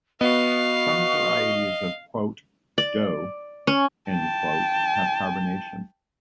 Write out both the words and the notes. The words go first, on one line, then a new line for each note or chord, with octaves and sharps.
Some varieties of "doogh" have carbonation.
B3 F#4 D#5 F5
D5
C#4
G5 A5